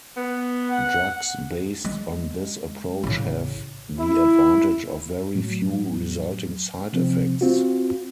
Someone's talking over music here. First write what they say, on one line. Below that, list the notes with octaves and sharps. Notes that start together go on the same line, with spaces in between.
Drugs based on this approach have the advantage of very few resulting side effects.
B3
F#5
G#3
A1 C#3
E4
A2 F#3
C3 F3 C4
C4 F4 F#4